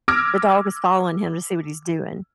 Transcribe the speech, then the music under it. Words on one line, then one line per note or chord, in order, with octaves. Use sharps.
the dog is following him to see what he's doing.
D6 E6 F6 G#6 A#6 D7